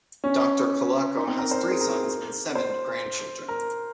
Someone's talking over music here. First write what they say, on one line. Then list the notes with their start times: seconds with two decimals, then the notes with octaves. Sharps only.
Doctor Colaco has three sons and seven grandchildren.
0.24 C#4
1.17 D#4
1.27 C4
1.39 A#4
1.51 C5
1.62 A#4
1.71 G#4
1.81 A#4
2.55 C5
3.48 A#4